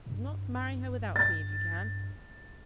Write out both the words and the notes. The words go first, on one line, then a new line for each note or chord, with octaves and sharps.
If not, marry her without me if you can.
G2
A6